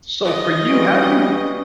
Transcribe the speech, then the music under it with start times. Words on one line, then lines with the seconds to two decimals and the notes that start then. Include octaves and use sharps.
So, for you, how do you
0.25 D#5
0.66 E3 G3 F#4